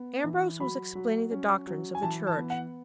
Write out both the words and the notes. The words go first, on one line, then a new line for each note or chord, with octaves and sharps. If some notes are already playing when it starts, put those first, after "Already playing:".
Ambrose was explaining the doctrines of the Church.
Already playing: B3
E3
F#3 B5
F#3
C#4
F#3
G#5
E3 A5
A5
B3
F#5